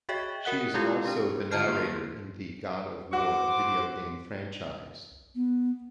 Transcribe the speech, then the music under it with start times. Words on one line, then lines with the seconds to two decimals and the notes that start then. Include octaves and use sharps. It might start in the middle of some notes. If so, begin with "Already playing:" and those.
She is also the narrator in the "God of War" video game franchise.
0.09 F#4 G#4 C#5 D#5 E5 G5
0.45 F#4 A#4 F#5 F#6
0.74 G#3 C4 E4 F4 G4 A4
1.05 D4 G4
1.51 D3 F4 C5 A5 F6 C7
1.68 A#3 C6
3.13 F#4 C5 D6
5.35 B3